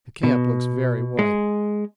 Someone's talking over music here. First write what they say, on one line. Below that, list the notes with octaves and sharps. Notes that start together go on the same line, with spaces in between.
The camp looks very white.
B2
G#3